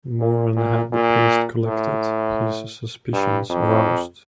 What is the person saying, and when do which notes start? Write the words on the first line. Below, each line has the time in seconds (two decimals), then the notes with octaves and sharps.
Moran had the paste collected, his suspicions aroused.
0.19 A#2
0.56 A#2
0.93 A#2
1.67 A2
3.13 G2
3.50 F2